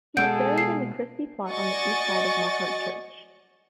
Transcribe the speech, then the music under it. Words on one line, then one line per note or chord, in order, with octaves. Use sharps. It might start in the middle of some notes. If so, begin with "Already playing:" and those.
He is buried in the Christie plot on the east side of Muckhart church.
B2 G#3 G#4 A4 F5 F#5 G6 D7
C7
F#4 D5 D#5 G#5 C#6 A6